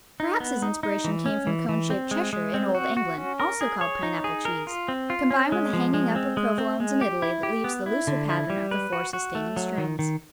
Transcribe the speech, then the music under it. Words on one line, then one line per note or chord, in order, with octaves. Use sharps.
Perhaps his inspiration came from cone-shaped Cheshire in old England, also called Pineapple cheese, combined with the hanging up of Provolones in Italy that leaves the looser pattern of the four sustaining strings.
D#4
B3
D#4
D#4
E3
C#4
E3
E3
C4
G#3
G#3
C4
F#4
F#4
C#4
A#4
G#4
C#5
D#4
G#4
A#4
F4
C4
F4
C#4
G#3
F3
G#3
C4
G#3
C4
G#3
G4
E4
G4
B3
E4
D3
E4
G3
B4
F#4
F#4
A3
F#3
D#3
D#3